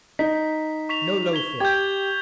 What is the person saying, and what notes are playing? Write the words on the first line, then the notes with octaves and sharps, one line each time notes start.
No loafing!
D#4 B6
C#6 B6 F7
G#6 B6 G7
G4 G5 G6 G#6